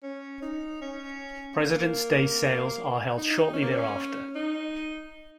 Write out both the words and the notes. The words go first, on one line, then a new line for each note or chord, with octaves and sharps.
Presidents' Day sales are held shortly thereafter.
C#4
D#4
C#4
A#3
D#4
D#4
D#4
C#4
A#3
C#4
D#4